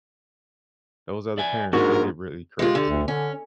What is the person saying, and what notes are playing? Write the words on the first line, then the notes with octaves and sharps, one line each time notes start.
those other parents, they get really crazy.
D5 E5 G#5
G#2 G#3 A#3 D4 F#4 G#4 A#4
G#3 F4 G4
D3
D2
D3 C#4